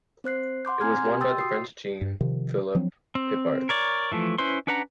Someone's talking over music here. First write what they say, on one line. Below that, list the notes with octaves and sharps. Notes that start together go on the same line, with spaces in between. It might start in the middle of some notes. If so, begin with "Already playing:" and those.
It was won by the French Jean-Philippe Pipart.
C4 C5 F#6 C7
F#5 C6 D6 G6
C4 G#5 A#5 C6 F6 G#6
G4
G5 C6 D#6 E6 G6 A6
F#4 D#6 C7
G2
C3 D#3 F3
F3 F#3 C4 D4
C4
A#4 C#5 D5
E3 F3 A3
C#4 E4 B4 C5 C6
C#4 D4 B4 F#5 A#5